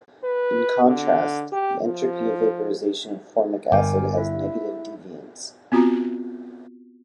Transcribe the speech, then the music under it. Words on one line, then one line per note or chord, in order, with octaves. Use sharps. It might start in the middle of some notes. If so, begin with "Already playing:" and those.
In contrast, the entropy of vaporization of formic acid has negative deviance.
B4
D3
G4
F3
G1 A#4 G5 G#5 D6
E4 E5
B3 C4 F4 F#4 A#5